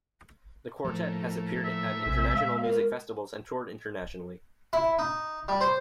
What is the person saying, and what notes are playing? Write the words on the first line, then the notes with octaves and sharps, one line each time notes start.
The quartet has appeared at international music festivals and toured internationally.
A2 F3 A3 A#3
E5
A#1 C3 G#3 A3 C4
A#2 G#3 F5
B3 F4 A#4
E4
D#4
G3
C5